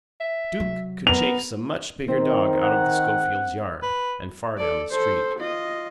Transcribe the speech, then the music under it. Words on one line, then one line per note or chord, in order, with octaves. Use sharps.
Duke could chase a much bigger dog out of the Schofields' yard and far down the street.
E5
C3 F#3
B3 A#4 F7
D#3 C4
F#5
B4
A4 D5
A4 C5
F4 D#5